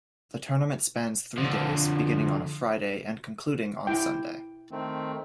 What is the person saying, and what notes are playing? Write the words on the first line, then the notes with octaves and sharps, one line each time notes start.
The tournament spans three days, beginning on a Friday and concluding on Sunday.
D3 F3
E4 G5
D#3 A3 C4